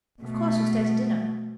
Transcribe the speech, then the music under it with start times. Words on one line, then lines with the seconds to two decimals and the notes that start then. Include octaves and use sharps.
"Of course you'll stay to dinner?"
0.22 B2 A3